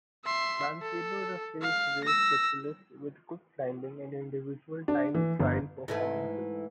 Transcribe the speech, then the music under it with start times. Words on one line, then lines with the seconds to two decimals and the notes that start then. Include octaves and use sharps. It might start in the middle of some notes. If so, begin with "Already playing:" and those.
Mancebo is a stage race specialist, with good climbing and individual time trial performances.
0.25 E5 C6
0.82 A4
1.61 F5
2.04 E6 A#6
4.88 D4
5.15 E3
5.40 G1
5.88 G#2 E3 A3